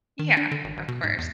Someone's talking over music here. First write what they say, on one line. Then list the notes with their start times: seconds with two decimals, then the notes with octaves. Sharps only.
Yeah, of course.
0.19 D#3
0.37 D4
0.51 D3
0.64 G#1
0.77 A1
0.88 B2
1.04 G#2
1.18 E2